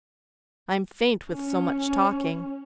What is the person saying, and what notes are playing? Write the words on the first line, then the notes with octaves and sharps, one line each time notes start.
I'm faint with so much talking.
C#4